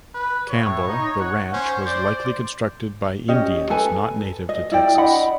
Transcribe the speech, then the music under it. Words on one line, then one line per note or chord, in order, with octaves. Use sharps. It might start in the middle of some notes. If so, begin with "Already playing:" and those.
Campbell, the ranch was likely constructed by Indians not native to Texas.
B4
A2 C#5
D#4
F#5
C#4 C5
C5 D5
C#4 G4 D#5
A4 B4 G#5
D#5
E4 D5 G5
D4 D#5 F#5 B5